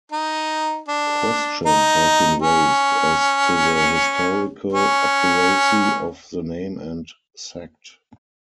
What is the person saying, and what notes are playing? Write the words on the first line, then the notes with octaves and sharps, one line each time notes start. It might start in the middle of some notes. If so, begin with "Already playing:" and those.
Questions have been raised as to the historical accuracy of the name and sect.
D#4
D4
D#4
C#4
C#4